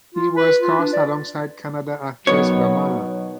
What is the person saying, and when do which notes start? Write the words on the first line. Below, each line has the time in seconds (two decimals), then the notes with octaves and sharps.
He was cast alongside Kannada actress Bhavana.
0.15 F4
0.36 B4
0.62 F4
0.79 D4
0.93 D5
2.27 B2 D#3 F#3 B3 C#5